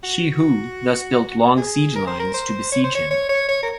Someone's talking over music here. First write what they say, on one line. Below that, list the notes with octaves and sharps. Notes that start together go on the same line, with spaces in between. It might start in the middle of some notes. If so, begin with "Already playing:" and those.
Shi Hu thus built long siege lines to besiege him.
F#4
G#4
A#4
C5
A#4
C5
C#5
C5
C#5
C#5
C#5
C#5
A#4